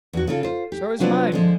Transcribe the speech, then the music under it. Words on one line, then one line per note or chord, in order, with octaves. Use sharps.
"So has mine."
E2 F#4
C#3 F4 A4
F4 C5
G4
C3 F#3 D4 F4 B4 C5
D3 F3 G#3